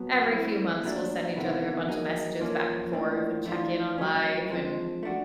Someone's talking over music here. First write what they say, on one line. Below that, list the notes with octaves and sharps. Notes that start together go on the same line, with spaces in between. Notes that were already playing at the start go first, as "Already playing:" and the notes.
every few months we'll send each other a bunch of messages back and forth, and check in on life, and,
Already playing: B2 F#3 B3
A3 C4 E4
A#2 F#3 A3 D4
C3 D#3 G#3 B3 E4
F#3 A#3 D#4 G#4
F3 A#3 C#4
A2 F3 A#3 D4
E3 A3 D4 F4
F#3 A3 C#4
F3 G#3 C4
A3 D4 F#4